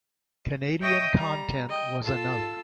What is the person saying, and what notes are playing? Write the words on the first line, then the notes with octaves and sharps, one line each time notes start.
Canadian content was another.
C#5 D#5 E5 G5 C#6 D#6
G3 A#5
D#5 G5
F4 A4 A5 E6